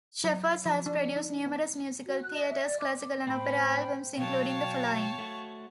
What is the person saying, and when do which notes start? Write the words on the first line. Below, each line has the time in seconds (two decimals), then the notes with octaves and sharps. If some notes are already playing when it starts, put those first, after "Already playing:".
Shepard has produced numerous musical theatre, classical and opera albums, including the following.
0.24 F#3
0.66 F3
0.86 D4
1.16 D#4
1.46 B3
2.06 F#4
2.22 F#6
2.34 D#5
2.48 E5
2.64 D5
2.79 D6
3.27 A2 C4 C5 G5 B5
4.18 B2 F#3 C#5 F5 G5 A5 C#6
5.18 A3 F#4